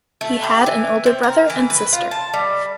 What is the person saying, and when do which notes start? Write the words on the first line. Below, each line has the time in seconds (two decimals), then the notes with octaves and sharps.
He had an older brother and sister.
0.21 A3
0.43 G4
0.66 E3
1.06 C4
1.23 A#4
1.50 E3
1.70 B4
1.93 F4
2.11 A5
2.34 G3